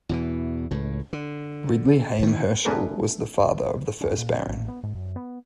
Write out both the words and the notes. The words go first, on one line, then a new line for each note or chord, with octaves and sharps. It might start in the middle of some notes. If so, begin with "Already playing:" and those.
Ridley Haim Herschell was the father of the first Baron.
E2 B2 E3
C#2 A2
D3
D#3 E3
A3 C4 D4 G#4 A#4 B4
C#4
A#2
A1
B3
G#2
F#2
B3